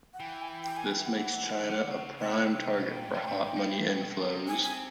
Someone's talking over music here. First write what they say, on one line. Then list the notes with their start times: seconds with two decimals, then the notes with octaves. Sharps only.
This makes China a prime target for hot money inflows.
0.13 F#5
0.20 E3 G5
0.42 G#5
0.48 G5
0.63 G5
0.77 G#5
0.91 G5
1.05 F#5
1.62 D3
1.91 C#3
2.19 C3 G5
2.77 B2
2.95 A#2
3.08 G#2
3.14 A2
3.28 A2
3.33 G#2
3.56 A#2
3.62 A2
3.91 B2
4.10 B2
4.29 C3
4.48 G#5
4.62 G#5